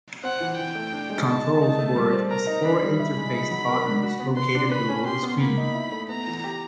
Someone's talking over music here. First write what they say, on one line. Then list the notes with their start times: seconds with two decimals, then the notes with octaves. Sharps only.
Controls work as four interface buttons located below the screen.
0.24 C4 F#5
0.40 E3
0.58 E3 G5
0.75 A3
0.93 D4
1.10 G#3
1.27 D#4 A5
1.45 G#3
1.62 D#4
1.79 A3
1.96 G3
2.13 C4
2.30 A#4 A#5
2.47 D#4
2.65 D4 B5
2.82 G3
2.99 E4 B5
3.17 G#3
3.33 D#4
3.51 F#3
3.68 A#4
3.85 D4
4.03 F#4
4.20 B3
4.37 B4 C6
4.55 D4
4.71 B4 B5
4.89 C#4
5.06 G4 C6
5.23 B3
5.41 A#3 B5
5.58 D#4
5.75 E4
5.92 A3
6.09 B3 A#5
6.27 E3
6.44 G4